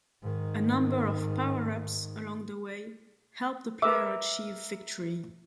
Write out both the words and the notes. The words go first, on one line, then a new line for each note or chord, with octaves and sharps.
A number of power-ups along the way help the player achieve victory.
G#2 D#3
A#4 B4 E5 D6 E6